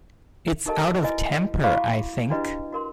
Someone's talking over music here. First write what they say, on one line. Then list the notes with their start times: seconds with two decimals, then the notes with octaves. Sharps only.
It’s out of temper, I think.
0.66 D#4 G4 A4 A#4 D#5 A5
1.02 E4 F#4 B4 D#5 G#5
1.64 E4 F#4 F5 B5 C#6 D6
2.30 D4 E4 F#4 G4 B4 D#5
2.73 F#4 A#4 C6